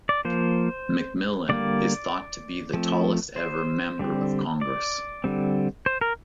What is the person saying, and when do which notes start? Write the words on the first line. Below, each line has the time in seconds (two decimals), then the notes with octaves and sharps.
McMillen is thought to be the tallest-ever member of Congress.
0.09 D5
0.25 F3 A#3 C5
1.49 D3 G3 A#3 D5
2.74 F3 A3 C4
3.36 C5
3.99 D3 G3 C4
4.61 D5
5.24 D3 G3 C4
5.86 C5
6.01 A#4